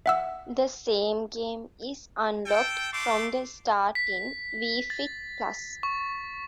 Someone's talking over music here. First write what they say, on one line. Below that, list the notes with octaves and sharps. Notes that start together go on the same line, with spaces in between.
The same game is unlocked from the start in "Wii Fit Plus".
E5 F#5 E6
A4 G5
A3 C6 D6
B6
A6
C#6